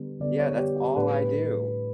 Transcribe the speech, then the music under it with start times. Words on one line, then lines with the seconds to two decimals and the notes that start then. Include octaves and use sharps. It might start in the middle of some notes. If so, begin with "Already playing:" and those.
Yeah. That's all I do.
Already playing: D3 G3 B3 D4
0.20 D3 G3 B3 D4 D5
0.40 C#5
0.58 G4
0.76 G4
0.96 A2 G3 D4 B4